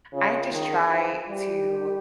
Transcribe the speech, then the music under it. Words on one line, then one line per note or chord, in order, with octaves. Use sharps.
I just try to
C#3 F4
D#3 G#4
F3
G3 G4